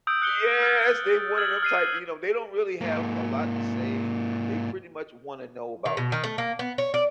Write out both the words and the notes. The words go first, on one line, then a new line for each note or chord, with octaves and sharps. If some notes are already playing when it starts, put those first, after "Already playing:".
Yes, they've one of them type, you know, they don't really have a lot to say. They pretty much wanna know about me.
D#6 E6 G6 D7
F#6 C#7 G7
F6 A6
E6 F6 G#6 F#7
F6 C7 D#7
G#2 A#3
D#3
B2
D#3
A3
A#3
B3
C#5
D5